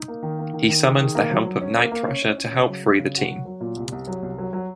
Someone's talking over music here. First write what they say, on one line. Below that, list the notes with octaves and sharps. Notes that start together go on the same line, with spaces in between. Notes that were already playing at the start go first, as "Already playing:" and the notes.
He summons the help of Night Thrasher to help free the team.
Already playing: D#4
A#3
D#3
A#3
D#3
D#3
G#4
D#3
A#3
F#3
F#3
C#4
A#3
A#3
C#4
C#4
C#4
C#3
F#3
F#3
C#3
F#4
F#3
F#3
A#2
C2
C2
F#3
C2
F#3
F#3